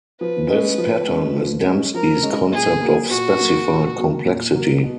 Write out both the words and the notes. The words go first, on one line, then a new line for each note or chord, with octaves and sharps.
This pattern is Dembski's concept of specified complexity.
F3 B4
G#3 C#4
F3
G#3 C#4
F3
G#3 C#4
F3 A#4
G#3 C#4
A#2 G#4
F#3 A#3
A#2 F#4
F#3 A#3
A#2
F#3 A#3
A#2
F#3 A#3
B2